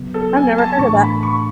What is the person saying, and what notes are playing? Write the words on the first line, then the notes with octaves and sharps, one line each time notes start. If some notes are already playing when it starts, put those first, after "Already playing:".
I've never heard of that.
Already playing: C#3 F#3 B3
A4
G#5
A5
A2 E3 A3 D4 C#6
B5
C#6